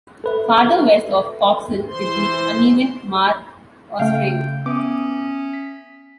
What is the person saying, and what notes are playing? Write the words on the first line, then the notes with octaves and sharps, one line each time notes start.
Farther west of Pogson is the uneven Mare Australe.
A4 B4 E5
E3 C5 C6
C#3 A3 F5 G5
B3 C#4 E5 D6 D#6
B6